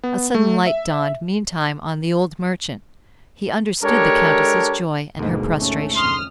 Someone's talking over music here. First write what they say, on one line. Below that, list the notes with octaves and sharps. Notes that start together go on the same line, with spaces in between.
A sudden light dawned meantime on the old merchant; he understood the Countess's joy and her prostration.
B3
A3
E5
G#3 D4 G4 A4 A#4 C#5
D2 G#2 B2 G#3 A#3
A3 C#4
F2 C6 D#6 F6